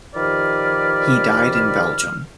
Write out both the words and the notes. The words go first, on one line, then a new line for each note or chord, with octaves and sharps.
He died in Belgium.
D#3 F3 G4 B4 D5 F6